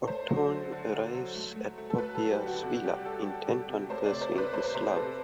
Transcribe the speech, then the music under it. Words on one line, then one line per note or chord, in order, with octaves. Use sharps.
Ottone arrives at Poppea's villa, intent on pursuing his love.
A3 C5
F#3
D3
D3
D3
F#3
A3
A3
A3
A4
A3 B4
A4
F#3
G4
D3
F#4
C3 F#4
G3 G4
G3 A4
G3
G3
C3
A3 C5
C3 D5
C5
C3
B4
A3 C5
B4
C3 C5
C3 A4